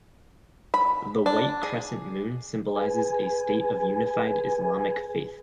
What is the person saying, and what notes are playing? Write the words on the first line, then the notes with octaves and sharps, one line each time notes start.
The white crescent moon symbolizes a state of unified Islamic faith.
B5
D4
G#4
G#4 B4 G#5